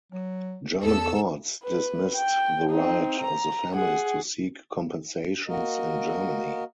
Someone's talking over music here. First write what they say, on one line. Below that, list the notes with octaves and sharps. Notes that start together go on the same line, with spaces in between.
German courts dismissed the right of the families to seek compensations in Germany.
F#3
E2 A4 E6
B4
G5
C4 D#4
A#5
G#4 F#5
A#3 F#4 A#4 D#5